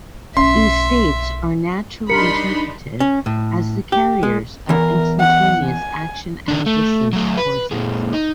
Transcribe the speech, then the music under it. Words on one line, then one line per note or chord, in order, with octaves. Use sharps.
These states are naturally interpreted as the carriers of instantaneous action-at-a-distance forces.
B1 A3 C#4 E5 C6
G3 D4 D#4 A#4 B5 C6 C#7
C#4
A2
G4
G#3
E2 E3 A#4
F#5
G#5
D#3 D4
A3
F#3 A3
B4
A#2 G#3
D#4